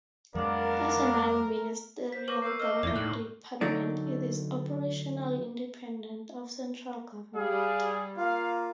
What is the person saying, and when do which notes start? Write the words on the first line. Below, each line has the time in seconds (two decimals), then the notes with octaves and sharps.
As a non-ministerial government department it is operationally independent of central government.
0.35 F2 F#3 G#3 A#3 B3 D4 A#4
2.12 C5 B6
2.28 B4 C#5 C#6 D6 A#6
2.42 A#4 E6 G6 C7
2.60 D#5 E6 F6
2.83 F2 E4 D5 E5 E6
2.96 A2 D#4 F#6 F#7
3.61 D2 D3 F#3 D4 D#4 D5
7.36 G3 G#4 F5
8.17 A#3 F4 F5